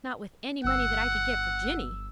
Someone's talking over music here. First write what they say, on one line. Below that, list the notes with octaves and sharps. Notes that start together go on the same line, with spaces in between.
"Not with any money that I could get for Jinny."
G1 F#5 E6